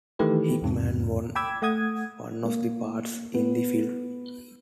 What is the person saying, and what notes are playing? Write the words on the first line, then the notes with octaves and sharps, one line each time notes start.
Hickman won one of the parts in the film.
D#3 E3 A3 G4 B4
E2 G#2 C3
G5 B5 D6 E6 G#6
A3 F#5 D#6 G#6
A#3
B3